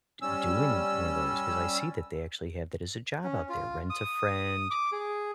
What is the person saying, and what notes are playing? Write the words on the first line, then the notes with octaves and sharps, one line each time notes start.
d doing one of those," 'cause I see that they actually have that as a job out there, rent-a-friend,
G3 C#4 E6
C#4
F4
D#6
D6
G#4